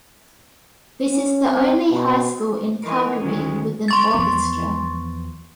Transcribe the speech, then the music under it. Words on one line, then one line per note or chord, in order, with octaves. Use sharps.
This is the only high school in Calgary with an Orchestra.
C#4
C4
B2
E3 D#4 A#4 G#5
D2 D#3 F#3 G#3 C#4
C6 C#6 A6
E2 F3 B3